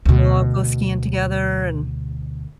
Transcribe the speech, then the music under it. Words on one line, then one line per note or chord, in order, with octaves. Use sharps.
we'll all go skiing together and
D2 B2